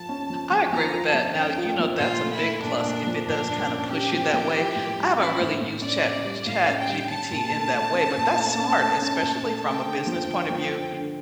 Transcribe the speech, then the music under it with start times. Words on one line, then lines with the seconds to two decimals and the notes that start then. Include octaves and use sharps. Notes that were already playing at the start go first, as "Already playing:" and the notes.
I agree with that. Now, you know, that's a big plus if it does kinda push you that way. I haven't really used Chat b ChatGPT in that way, but that's smart, especially from a business point of view,
Already playing: F3 F4 A5
0.09 C#4
0.30 F3
0.51 F3
0.72 F3 A#5
0.94 F4
1.05 A5
1.14 F3
1.36 C#4 G5
1.58 F4
1.79 F3
1.99 A#2 F4
2.21 A3
2.32 E4
2.42 A3
2.64 A#2 D4
2.85 A#2
3.07 F3
3.28 A#2 D4
3.48 A#2
3.70 C#4
3.91 C#4 G4
4.13 F3
4.34 F3
4.55 E4
4.76 A2
4.98 G3
5.19 C#4 E4
5.40 A2
5.61 A2
5.82 C#4 D5
6.04 C#4
6.24 G3
6.46 A2 F5
6.68 C#4
6.79 G5
6.89 G3
7.10 C#4 A5
7.31 A#2
7.53 A3
7.74 A3
7.94 C#4
8.17 A#2
8.38 A3
8.58 C#4
8.79 A3
9.02 C#4
9.22 A#2
9.44 A3
9.65 A3 G5
9.86 D3
10.07 F3
10.28 D3
10.50 F3
10.72 D3
10.92 D3